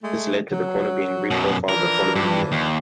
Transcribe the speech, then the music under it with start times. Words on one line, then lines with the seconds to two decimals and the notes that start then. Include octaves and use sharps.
This led to the corner being reprofiled the following year.
0.02 G#3 A3
0.50 F#3
1.31 F#2 B2
1.69 E3 F3 D4 A#4
2.16 G2
2.52 D#2